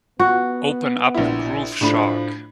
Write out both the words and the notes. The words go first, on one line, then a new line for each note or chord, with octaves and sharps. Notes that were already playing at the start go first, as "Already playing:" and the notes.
Open up Groove Shark.
B3 F#4
A#1 E4
A2 F3 D4 B5